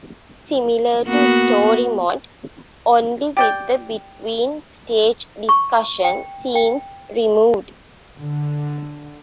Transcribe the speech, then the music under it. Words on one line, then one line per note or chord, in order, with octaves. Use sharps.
Similar to Story Mode, only with the between-stage discussion scenes removed.
A#3 B3 F#4
G4 D5 G5
C#6
G5
G5
D3